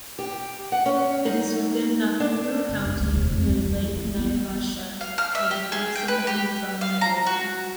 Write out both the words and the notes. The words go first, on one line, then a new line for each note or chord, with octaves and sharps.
It is within Nakuru County, near Lake Naivasha and approximately from Nairobi.
G4
F#5
C#4
D#4
D4
F#1
F#2
D2
E1
F2
E3
F2
E3
B3
F5
F6
E5
G4
G#4
G5
B4
G4
F5
A#5
F#4